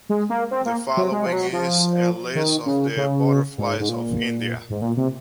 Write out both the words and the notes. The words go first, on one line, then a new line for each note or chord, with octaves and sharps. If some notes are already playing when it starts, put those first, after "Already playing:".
The following is a list of the butterflies of India.
G#3
A#3
C4
A#3
F#3
G#3
F3
F#3
F3
D#3
C#3
C#3
G#2
G#2
A#2
G#2
A#2
C3